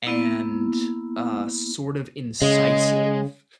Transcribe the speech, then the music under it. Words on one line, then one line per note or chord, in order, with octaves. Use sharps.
and, uh, sort of incisive,
A#3 B3 E4
C#3 G#3 D#5